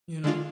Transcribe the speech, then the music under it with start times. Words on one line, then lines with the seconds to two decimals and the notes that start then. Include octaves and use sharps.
You know
0.24 D3 G#3 D4 F4